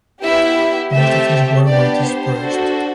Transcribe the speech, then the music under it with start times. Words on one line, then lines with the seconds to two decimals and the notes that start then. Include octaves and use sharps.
Most of his work was dispersed.
0.22 B3 E4 G4 E5
0.95 A3 C4 G4 E5
1.67 B3 D4 G4 D5
2.05 C5
2.41 D4 F#4 A4